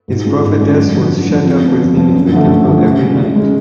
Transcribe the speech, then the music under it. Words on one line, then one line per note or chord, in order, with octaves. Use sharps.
His prophetess was shut up with him in the temple every night.
G#2
G#3 C#4 F4
G#2
G#3 C#4 F4
F#2
D3 F3
F#2
D3 F3
F2
F3 B3
F2
F3 B3
F#2
D3 F3 A3
F#2
D3 F3 A3
C#3
G#3 C#4
C#3
G#3 C#4